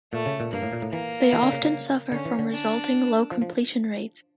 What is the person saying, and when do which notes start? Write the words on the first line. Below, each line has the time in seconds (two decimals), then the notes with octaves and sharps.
They often suffer from resulting low completion rates.
0.13 A#2 A3
0.26 C#3
0.40 A#2
0.53 G2 A#3
0.63 A2
0.73 A#2
0.82 A2
0.92 E3 A#3
1.33 E3
1.43 D3
1.52 C#3
1.63 C#3
2.12 D3 C#4
2.25 E3
2.39 D3
2.51 D4
3.31 F3
3.42 F3